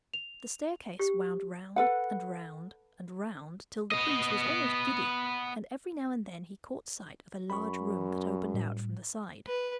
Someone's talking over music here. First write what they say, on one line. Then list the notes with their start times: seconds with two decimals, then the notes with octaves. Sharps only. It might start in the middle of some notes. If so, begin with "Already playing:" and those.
The staircase wound round and round and round, till the prince was almost giddy, and every now and then he caught sight of a large room that opened out from the side.
0.14 F7
0.99 G4
1.76 A4 B4 F#5
3.92 B3 D#5
7.50 F#2 B5 C#6
8.54 A2 G3
9.47 B4